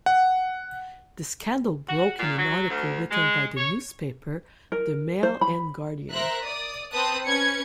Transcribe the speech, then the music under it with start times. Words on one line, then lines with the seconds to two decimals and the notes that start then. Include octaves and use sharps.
The scandal broke in an article written by the newspaper the Mail and Guardian.
0.06 F#5
1.88 F#4
2.18 A#2
2.37 F#3
2.69 D2
3.11 G#3
3.57 C#5
4.72 A#4
5.23 C5
5.41 B5
6.11 A#4 C5 E5 A#5 F#6
6.43 D5 D#6
6.91 C4 B4 C5 A5 D#6 F#6
7.26 C#4 B4 G#6 C#7